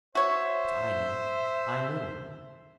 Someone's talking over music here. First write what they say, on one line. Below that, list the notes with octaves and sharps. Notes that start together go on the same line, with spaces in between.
But I knew, I knew!
F#4 C5 C#5 E5